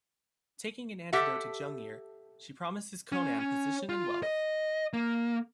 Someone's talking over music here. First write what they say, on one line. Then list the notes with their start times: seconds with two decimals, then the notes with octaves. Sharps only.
Taking an antidote to Jungir, she promises Conan position and wealth.
1.13 G4 A4 E5 F#5
3.12 C#4
3.39 C#4
3.89 F4
4.23 D#5
4.93 A#3